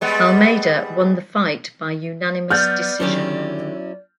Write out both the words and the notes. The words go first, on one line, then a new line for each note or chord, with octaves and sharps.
Almeida won the fight by unanimous decision.
G3 G#3 B3
F#3 B3 D5 F6 G6 A6
D3 D#3 F#3 C#4 E4 G4